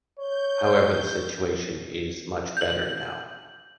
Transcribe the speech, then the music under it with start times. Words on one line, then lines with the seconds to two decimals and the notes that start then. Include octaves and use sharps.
However the situation is much better now.
0.18 C#5 G6
2.57 G6 F#7